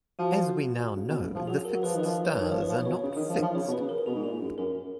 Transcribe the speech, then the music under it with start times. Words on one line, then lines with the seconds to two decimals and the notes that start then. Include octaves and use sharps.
As we now know, the fixed stars are not "fixed".
0.19 F3 F#4
0.96 C#3
1.10 B2
1.22 C#3
1.35 F3
1.47 F#3 G#4
1.65 A#4
1.74 F#3
1.83 F3 B4
1.95 D#3 B4
2.05 F3
2.25 C#5
2.40 D#3
2.52 F3 C#5
2.61 B4
2.69 F3 C#5
2.85 B2 C#5
3.03 C#3
3.16 D#3
3.29 F3
3.38 D#3
3.42 F3
3.55 C#3 C#5
3.67 B2
3.72 B4
3.80 C#3
3.89 A#4
4.06 B2 G#4
4.15 G#2
4.24 A#2 G#4
4.41 F#2
4.58 F#2 A#4